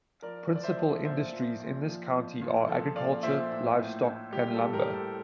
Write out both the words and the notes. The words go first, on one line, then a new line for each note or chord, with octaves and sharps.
Principal industries in this county are agriculture, livestock, and lumber.
F3 A#4 D5
F3
D5
C5 E5
F3
A#2 C5 E5
F3
A#2
F3
F3
A#2
F3 A4
A#2 D5 F5
A#2 C5 E5
A2
A2
A2
G3 G4
A4
G3
G4 A#4
A2
A4